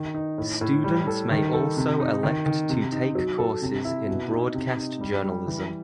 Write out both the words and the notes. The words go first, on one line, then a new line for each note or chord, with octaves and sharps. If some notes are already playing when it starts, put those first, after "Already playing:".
Students may also elect to take courses in Broadcast Journalism.
Already playing: D#3
D#4
A2
A2
G3
A4
D#3
A4
C3
D#4
D#3
D#3
C3
D#4
F#3
A4
C3
E4
B2
D#4
C3
D#4
G3
G3
E3